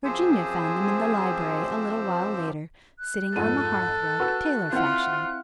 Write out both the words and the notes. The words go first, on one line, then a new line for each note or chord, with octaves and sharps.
Virginia found them in the library, a little while later, sitting on the hearth-rug, tailor-fashion.
F#2 F3 C4 G4 G#4 C5 E6
F#6
F2 G#2 A4 D#7
F#4 B4 E6
C4 E4 F4 F#5 G6